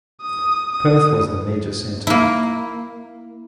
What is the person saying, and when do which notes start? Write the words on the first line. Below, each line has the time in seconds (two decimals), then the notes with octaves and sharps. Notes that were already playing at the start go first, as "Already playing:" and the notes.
Perth was the major centre.
0.22 D#6
0.72 D#6
2.07 A#3 E4